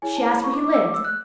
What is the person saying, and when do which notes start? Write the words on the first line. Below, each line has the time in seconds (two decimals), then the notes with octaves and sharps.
She asked where he lived.
0.02 E4 G#4 C#5 G#5
0.16 A5
0.30 B5
0.44 C#6
0.53 D6
0.64 D6
0.74 E6
0.84 D6
0.94 E6
1.04 F#6